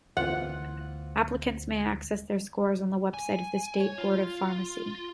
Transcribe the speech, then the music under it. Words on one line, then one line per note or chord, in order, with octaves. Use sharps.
Applicants may access their scores on the website of the state Board of Pharmacy.
D2 E3 B3 C4 F4 F#5
G#5
C#5
F4